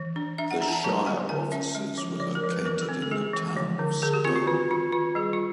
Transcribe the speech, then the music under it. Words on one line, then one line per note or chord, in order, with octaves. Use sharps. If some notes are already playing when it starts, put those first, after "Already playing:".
The shire offices were located in the town of Scone.
Already playing: E3
D4
D4 E5
F#5
D4 A#5
A5
A#5
F#3 A5
A#3 G#5
D3 G#5
C#4 E5
G#3
F3
F3 D5
A#4
F3
B4
E3 A#4
A4
C4
A4
G#3 G#4
E3
F3
D3
D3 G#4
G4
C4 F4
F#4
D#3 F4
D#3 F4
D#3 F4
G3 G#4
F4